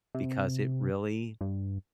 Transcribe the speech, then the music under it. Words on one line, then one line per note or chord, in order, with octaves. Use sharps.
"because it really"
C3
G2